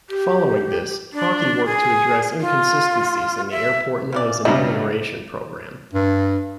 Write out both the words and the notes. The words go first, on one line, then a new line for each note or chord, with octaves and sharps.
Following this, Hockey worked to address inconsistencies in the airport noise amelioration program.
G4
D4
G#4
F4
E5
C#3 E3 D5
C#2 G2 D#4 E4 D#5
G2